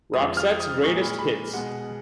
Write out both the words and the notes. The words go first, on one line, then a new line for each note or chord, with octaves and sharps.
Roxette's Greatest Hits.
F2 F3 G#3 D#6
F6
D#6
A#2 G#3 C#6
B5
B5
B2 G#3 F#5